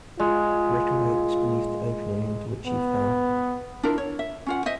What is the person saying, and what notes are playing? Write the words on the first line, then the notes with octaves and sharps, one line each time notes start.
Rick awakes beneath the opening into which he fell.
G#3 F4
B3
D4 E4 F4 A#4
C#5
E5
C#4 F4 F#5
C5 D#5 E5